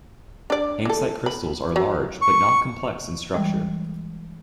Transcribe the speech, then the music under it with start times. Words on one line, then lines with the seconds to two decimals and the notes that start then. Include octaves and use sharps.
Hanksite crystals are large but not complex in structure.
0.50 D4 D5
0.85 E3 A4
1.26 B5
1.76 F#3
2.22 C#6
3.34 E3 G3 G#3